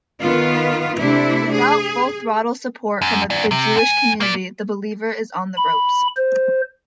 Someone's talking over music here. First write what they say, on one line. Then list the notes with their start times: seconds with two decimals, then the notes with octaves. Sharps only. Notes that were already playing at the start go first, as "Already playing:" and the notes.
Without full-throttle support from the Jewish community, The Believer is on the ropes.
0.21 D#3 B3 F4
0.98 C3 A3 D4 E4
1.54 G#4
3.02 F#2
3.30 F#2 D5
3.51 C3
3.76 F#2 G#5
4.20 A#3 D5
5.57 B5
6.17 C5